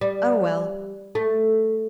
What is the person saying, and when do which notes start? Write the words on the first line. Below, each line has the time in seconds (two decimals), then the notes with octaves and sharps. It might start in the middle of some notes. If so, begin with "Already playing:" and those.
Oh, well!
0.01 G3
1.15 A3